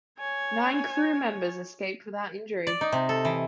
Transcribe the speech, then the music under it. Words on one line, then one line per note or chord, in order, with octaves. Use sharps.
Nine crew members escaped without injury.
C#5 G#5
D5
D#4
C3
A4
E3